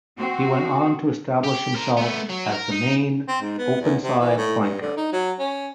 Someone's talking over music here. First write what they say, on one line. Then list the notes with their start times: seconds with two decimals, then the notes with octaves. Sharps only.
He went on to establish himself as the main openside flanker.
0.18 C4 F#4
1.44 G4
1.75 A#4 C5
1.97 A3 B3
2.29 F#3
2.52 A#4
2.71 D#4
3.28 C4
3.41 G#2
3.58 B3
3.82 E2
4.03 C3
4.19 E3
4.37 A2
4.60 G2
4.81 D3
4.97 D#4
5.13 F#3
5.39 C#4